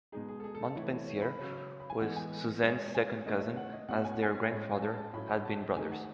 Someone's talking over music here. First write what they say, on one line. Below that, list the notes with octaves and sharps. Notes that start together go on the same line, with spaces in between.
Montpensier was Suzanne's second cousin as their grandfathers had been brothers.
B2 G#3 D#4 G#4
G#4
A4
G#4
A4
A4
E3 A3 E4 C#5
C#5
C#5
B5
C#3 F#3 C#4
B5
G#5
E3 G#3 B3 F#5
G#5
B2 G#3 C#4
G#5
C#5
D#3 A3 C#4 E4 D#5
E5
F#5
D#5
B2 A3 C#4 E4 F#5
G#5
F#5
G#5
A2 G#3 C#4
G#5
A5
A5
A2 F#3 C#4 E4 B5
A5
D#3 A3 D#4 G#5
F#5